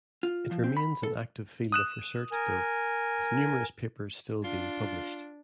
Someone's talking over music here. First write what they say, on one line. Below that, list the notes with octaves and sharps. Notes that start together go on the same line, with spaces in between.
It remains an active field of research though, with numerous papers still being published.
F4
F3
C4
B5
A4
D#6 F#6 E7
A#4 G#5
D4 F4